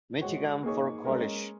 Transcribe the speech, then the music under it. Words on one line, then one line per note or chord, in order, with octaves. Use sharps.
Michigan for college.
G#3 F#4 C#5
A#3 D#4 G#4 C#5
G#3 C#4 A#4